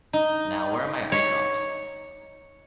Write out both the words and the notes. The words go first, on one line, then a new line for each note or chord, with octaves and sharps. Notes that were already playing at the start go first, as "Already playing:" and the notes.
Now, where are my eyedrops?
D#4
C#5